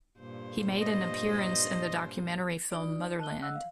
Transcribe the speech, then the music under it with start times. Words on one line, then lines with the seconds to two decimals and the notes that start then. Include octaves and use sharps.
He made an appearance in the documentary film "Motherland".
0.19 G2 A#2 C5
0.81 D#5
2.71 D#4 F4 D5
3.19 D#5 A5 F#6 G7
3.42 F#5 E6 F#6
3.55 F5